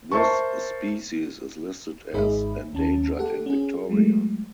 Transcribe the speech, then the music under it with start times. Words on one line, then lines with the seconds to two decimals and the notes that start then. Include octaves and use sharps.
This species is listed as "endangered" in Victoria.
0.12 A#4 C5 E5 A5 C#6
2.13 G#1 G#2 D#4 G#4 E5 B5
2.73 D#2 C#4 A5
3.18 A#3 G4 A4 F#5
3.46 C#4 G#4
3.89 F#3 G#3 A3